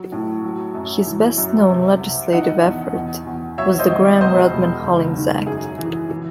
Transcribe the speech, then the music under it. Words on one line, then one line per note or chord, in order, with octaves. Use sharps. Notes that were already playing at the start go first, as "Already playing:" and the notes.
His best-known legislative effort was the Gramm-Rudman-Hollings Act.
Already playing: F#3
A2
F#3
F#2
E3
F#2
C3
C2
D#3 D#5 F#5
E2
E2
E2
F#3 C#5 E5
C5 D#5
G#1
E1 C5 D#5
E1
F#1
D#3
F#2 G#4
E3
E3